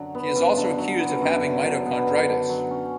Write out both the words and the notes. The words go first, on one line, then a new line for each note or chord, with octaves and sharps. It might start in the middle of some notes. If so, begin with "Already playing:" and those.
He is also accused of having mitochondritis.
Already playing: F#2 D3 F#3
B3
F#2
D3
F#3
B3
F#2
D3
F#3
B3
F#2
D3
F#3
C#4